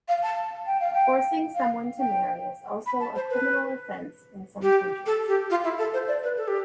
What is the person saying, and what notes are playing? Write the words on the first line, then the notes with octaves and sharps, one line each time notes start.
Forcing someone to marry is also a criminal offense in some countries.
F5
A5
G5
F5
G5
F5
G5
B5
A5
C5
B4
G4
A4
G4
F4
E4
A4
C5
D5
B4
A4
G4